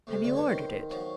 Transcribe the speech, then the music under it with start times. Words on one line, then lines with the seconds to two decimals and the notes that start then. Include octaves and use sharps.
Have you ordered it?'
0.07 A2 C3
0.23 D2 G4 D5
0.35 G3 B4 C#5
0.49 D#3 C5
0.90 F3 F#3